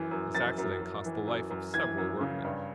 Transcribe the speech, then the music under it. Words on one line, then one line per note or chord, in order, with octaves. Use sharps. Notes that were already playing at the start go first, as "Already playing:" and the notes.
This accident cost the life of several workmen.
Already playing: F#2 E3
F#2
F#2 A6
F#2
F#2
E3
F#2
F#2
E3 G#6
F#2
C#3
G2